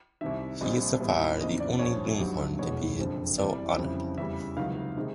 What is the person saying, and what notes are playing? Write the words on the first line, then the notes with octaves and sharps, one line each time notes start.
He is so far the only Longhorn to be so honored.
C2 C3 D#3 E5
A#1 A#2 G3 C4 D#5
A2 E3 G3 B3
E2 C#3 F3 A#3 D#4 D#5
D5
A#1 A2 F3 C#5
G#1 G2 D#3 F#3 G4
F1 E2 B2 G#3 B3 C#5
F#1 F2 D3 F3
C2 C3 E3 G3 D5
F2 C#3 E3 G3 C4
E2 C#3 E3 G3 E5
C#2 C3 D#3 F#3 F5
C3 D#3 G#3